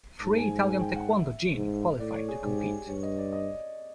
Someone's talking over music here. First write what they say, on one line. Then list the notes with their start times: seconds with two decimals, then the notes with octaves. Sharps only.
Three Italian taekwondo jin qualified to compete.
0.22 G#2 A5
0.37 G#5
0.67 G#5
0.81 G5
0.96 F#5
1.11 E5
1.55 G#2
1.99 A2 D5
2.14 C#5
2.28 G#4
2.44 G#2 G4
2.59 G#4
2.88 G2 C#5
3.03 D#5
3.18 D5
3.32 D#5